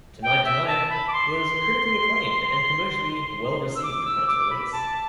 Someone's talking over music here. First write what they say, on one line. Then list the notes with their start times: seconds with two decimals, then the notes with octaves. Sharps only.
"Tonight, Tonight" was critically acclaimed and commercially well-received upon its release.
0.22 G5
0.44 E5
0.66 A5
0.90 B5
1.07 D6
1.12 C6
3.75 E6
3.82 D6
4.04 E6
4.27 D6
4.50 B5
4.72 A5